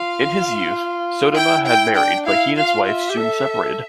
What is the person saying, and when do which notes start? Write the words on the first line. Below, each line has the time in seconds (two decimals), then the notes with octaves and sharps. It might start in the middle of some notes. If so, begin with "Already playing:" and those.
In his youth, Sodoma had married, but he and his wife soon separated.
Already playing: F4 F5
1.32 F4
1.36 E4 G5
1.65 G5
1.96 D4 G5
2.26 E4 F5
2.56 F4 F5
2.86 E5
3.10 G4
3.17 A4